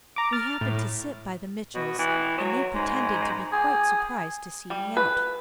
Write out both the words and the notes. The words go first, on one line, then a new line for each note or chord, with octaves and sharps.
We happened to sit by the Mitchells, and they pretended to be quite surprised to see me out.
A#5 D6
F6 A6
A2
B2
E3
F#3
G#2
G#4
G3
B4